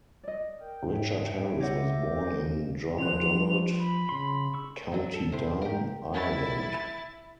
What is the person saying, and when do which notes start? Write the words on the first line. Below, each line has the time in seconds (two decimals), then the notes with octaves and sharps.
Richard Harris was born in Drummadonald, County Down, Ireland.
0.24 D5 D#5
0.60 A#4 G5
0.93 G#2 C#5 E5 G5
1.60 C#5 E5 F#5 D6 G6 A#6
2.98 F3 C5 F#6 F7
3.79 B5
4.09 C#3 C6
4.54 C#6 E6
4.92 D3 F#3
5.14 A4
5.32 C3 E4 C5
5.62 G4 A#4
6.14 E4 A6